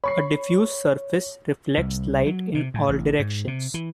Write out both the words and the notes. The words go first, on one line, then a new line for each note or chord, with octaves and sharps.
A diffuse surface reflects light in all directions.
C#5 B5 C#6 C7
C2
F#3
C3
A2
A1
G#2
C3
E3